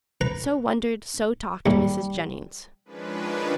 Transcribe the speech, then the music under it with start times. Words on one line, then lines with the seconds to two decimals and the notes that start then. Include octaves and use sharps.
So wondered, so talked Mrs. Jennings.
0.21 B4 A#5
1.66 D#2 G#2 G3
2.85 D#3 F3 G#3 C#4 D4 B4